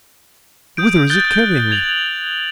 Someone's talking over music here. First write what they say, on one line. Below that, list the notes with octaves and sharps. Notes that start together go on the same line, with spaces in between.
Whither is it carrying me?
D#6 G6 D7
F#6 G6 A6 G7
G#6 F7 F#7